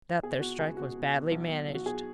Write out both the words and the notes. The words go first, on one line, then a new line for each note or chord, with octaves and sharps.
'That there strike was badly managed.
B2 G#4
B2 F#4
C#2 G#4
B2 F#4
B2
B2
B1
B2
B1
F#4
B2 G#4